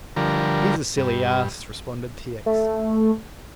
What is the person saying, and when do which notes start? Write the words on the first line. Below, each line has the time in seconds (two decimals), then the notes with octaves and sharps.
"He's a silly ass," responded T. X.
0.16 D3 F3 G3 A#4
0.98 G2
2.46 A3